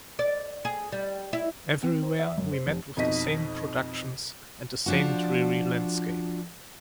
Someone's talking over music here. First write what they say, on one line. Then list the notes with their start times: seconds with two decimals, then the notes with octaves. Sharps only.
Everywhere we met with the same productions, and the same dreary landscape.
0.19 D5
0.65 G#4
0.92 G3
1.33 E4
1.83 C4
2.03 C5
2.19 E5
2.38 F#2
2.52 C5
2.67 F1
2.97 F2 B2 D#4 D#5 B6
4.86 F3 D4 F#4